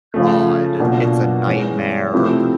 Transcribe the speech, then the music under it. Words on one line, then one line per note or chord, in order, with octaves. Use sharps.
god, it's a nightmare.
C#3 F3 A3
B2 F#3 A#3 D4 F4
E3 G#3 C#4
C3 F3 A3 C4 E4